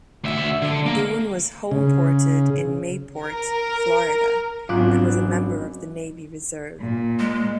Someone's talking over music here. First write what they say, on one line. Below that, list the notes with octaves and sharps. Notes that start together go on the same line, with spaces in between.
"Boone" was homeported in Mayport, Florida, and was a member of the Navy Reserve.
D2 E5
D3
A#3
C#3
A#4
G#1 F#2 B3 C4 D4 F4 D6 F#6
A#2
G#3